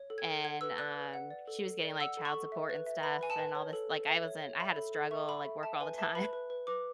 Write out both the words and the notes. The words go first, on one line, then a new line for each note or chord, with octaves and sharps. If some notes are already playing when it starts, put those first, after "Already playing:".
and, um, she was getting, like, child support and stuff and all this like, I wasn't I had to struggle, like, work all the time,
Already playing: C#5
A4
G#6
A4
F#5 G#6
B4 E6
D5 F#6
B4
F#5
D5
A4
A4
D5
F#5 E6
A4
C#6
A4
E5
B4
E5
B4 B5
B4 G#5
A5
B4
C#5
A4
A4
E5
C#5
C#5
E5 B5
A4
A4
E5 C#6
A4 B5
E5
E5 A5
B4 G#5
E5 A5
B4 B5
B4
B4
B4 D6